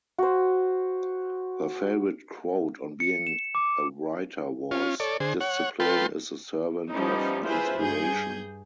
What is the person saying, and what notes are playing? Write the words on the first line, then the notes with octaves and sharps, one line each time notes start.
Her favorite quote on being a writer was: Discipline is the servant of inspiration.
F#4 C5
C#7
E7
D6
C#4 F4
A4 C#5 D5
D3 G#4 C5
C#5 F#5
F4 A4 B4 G5 C6
F3 G3 B3 C#4 D#4 E4
E4 F4 G#4 B4 C5 E5
G2 G#4 G6